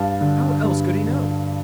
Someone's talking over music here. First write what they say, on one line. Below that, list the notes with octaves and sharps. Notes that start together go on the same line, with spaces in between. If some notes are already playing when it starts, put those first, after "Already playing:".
How else could he know?
Already playing: G2 F5 A5
D3
G2
D3